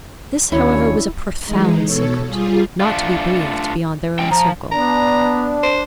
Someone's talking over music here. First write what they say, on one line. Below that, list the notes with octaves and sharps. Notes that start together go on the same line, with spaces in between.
This, however, was a profound secret, not to be breathed beyond their own circle.
D#2 C#4 D4 E4 F#4 C#5
E3 G#3 D#4
B2 A4 C#5
G3 F4 G#4
A3 D4 F4
G#3 C#4 G5
F3 A#5
B3 D4 A#5
C5